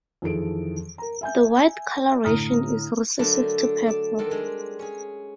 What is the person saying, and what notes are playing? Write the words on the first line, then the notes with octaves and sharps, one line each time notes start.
The white coloration is recessive to purple.
F2 D#3 E3 G#4 A4 D7
A#4 A#5
E5 G#5 G6
A2 D3 A#5 D#6 F6
D3 F#3 A3 D4 A#4
D4
D5 A5
D#3 F#3 C4 D4 A4
G3 G#3 D4
C#4 G#4